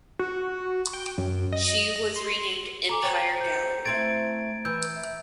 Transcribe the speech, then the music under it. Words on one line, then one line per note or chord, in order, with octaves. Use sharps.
She was renamed "Empire Gallery".
F#4
G5
F#2
D#5
A#6
C6
A4 G#5 A#5 D6 F#7
C5 C#5 G5
G6 C#7
A3 C4 E4 G#6 A6 D7
E3 B4 E6 G6
E5